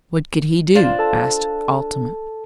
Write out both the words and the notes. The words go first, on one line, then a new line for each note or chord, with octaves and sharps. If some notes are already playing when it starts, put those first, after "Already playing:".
"What could he do?" asked Altamont.
D4 F4 C5
A4 A5